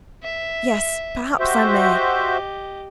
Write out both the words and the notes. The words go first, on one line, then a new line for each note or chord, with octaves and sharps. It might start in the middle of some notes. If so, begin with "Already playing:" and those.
'Yes, perhaps I may.
E5
F#4 G4 C5 D#5 E5